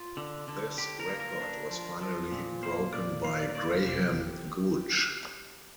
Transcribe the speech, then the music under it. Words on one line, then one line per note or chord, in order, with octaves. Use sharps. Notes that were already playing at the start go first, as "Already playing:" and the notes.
This record was finally broken by Graham Gooch.
Already playing: F4
D3
D3
D3 G4
A#4
A#3
A#4
D4
F3
F3
A#2
A#3 C5
A#2 D5
A#3 F5
D5
A#3 D5
A#4
C3 G4